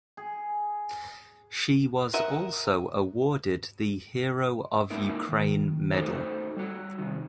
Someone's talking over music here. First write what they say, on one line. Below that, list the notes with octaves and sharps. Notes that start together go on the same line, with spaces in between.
She was also awarded the Hero of Ukraine medal.
G#4
A#4 D#5 E5 F#5
G#3 A#3 D#4 E4 A#4
D#3
A3 D#4 F#4 A4 C5
G3 F#4
C3 D#3